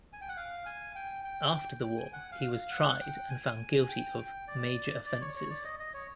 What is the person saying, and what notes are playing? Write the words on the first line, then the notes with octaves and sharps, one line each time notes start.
After the war, he was tried and found guilty of "major offenses".
G#5
G5
F#5
F5
G#5
G5
G5
G5
G5
G#5
F#5
F5
F5
F#5
G5
G#5
G5
G5
D5
D5
C#5
C#5
D5
D#5
D#5
C#5